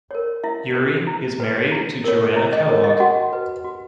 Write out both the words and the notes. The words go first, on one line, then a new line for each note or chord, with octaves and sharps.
Uhry is married to Joanna Kellogg.
A#4 C#5
E4 E5
B4
E4
B4
E4
A#4 C#5
E4 C#5
D#5
A#4 C#5
D#5
F#4 F#5
B4
F#4